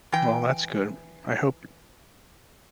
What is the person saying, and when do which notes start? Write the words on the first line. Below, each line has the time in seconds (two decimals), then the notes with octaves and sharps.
Well, that's good, I hope it
0.12 E3 G5